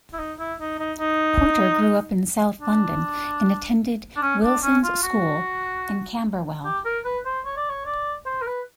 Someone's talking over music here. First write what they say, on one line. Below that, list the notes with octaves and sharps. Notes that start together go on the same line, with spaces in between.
Porter grew up in South London and attended Wilson's School in Camberwell.
E4
D#4
E4
D#4
D#4
D#4
D4
D4
C#4
D4
C#4
F4
F#4
G4
A#4
B4
C5
C#5
D5
C#5
D5
C5
A#4
B4